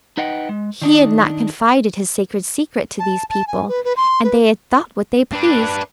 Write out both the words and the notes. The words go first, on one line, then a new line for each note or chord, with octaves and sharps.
He had not confided his sacred secret to these people, and they had thought what they pleased.
D#4 B4 D#5 F#5 G5
G#3
D#3 D4 D#4
A5
A5
G#5
B4
B4
C6
B4
D4 B4